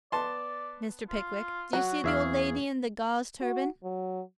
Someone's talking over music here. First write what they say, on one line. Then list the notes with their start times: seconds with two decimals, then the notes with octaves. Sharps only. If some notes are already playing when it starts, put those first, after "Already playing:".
Mr. Pickwick, do you see the old lady in the gauze turban?'
0.12 B3 D5 A5 C6
1.09 F4
1.73 F#3 F#4 F#5
2.04 E2 G#4 E5 F5
3.41 F#4
3.83 F#3